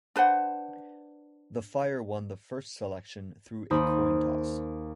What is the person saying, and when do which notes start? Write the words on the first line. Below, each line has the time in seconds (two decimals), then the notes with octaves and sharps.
The Fire won the first selection through a coin toss.
0.16 D4 B4 C5 F#5
3.70 D#2 A#3 D#4 C5 B5 D#6